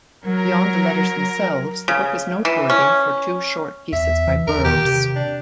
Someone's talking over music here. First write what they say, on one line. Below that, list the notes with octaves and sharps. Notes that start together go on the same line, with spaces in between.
Beyond the letters themselves, the book is noteworthy for two short pieces by Burroughs.
F#3 A#4
C#3
E3
C#4
E2 E5
E3
E2 A#4
D#3 G4
C3
D4